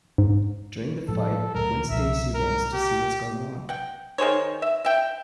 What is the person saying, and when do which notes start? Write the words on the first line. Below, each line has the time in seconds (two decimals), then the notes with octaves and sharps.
During the fight, Gwen Stacy runs to see what's going on.
0.18 G#2
1.08 A2 F3 G#3 A4
1.54 D2 A#2 F#3 A#4
1.90 C2 B2 F3 E5
2.34 A#4
2.73 G4
3.69 F#5 G5
4.18 D#3 G#4 C5 C#5
4.62 E5
4.85 E5 G5